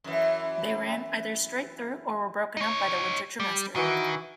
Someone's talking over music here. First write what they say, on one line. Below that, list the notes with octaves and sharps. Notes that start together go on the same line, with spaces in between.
They ran either straight through or were broken up by the winter trimester.
F#2 E3
D#4 C#5
G3
D#3 E3 F#4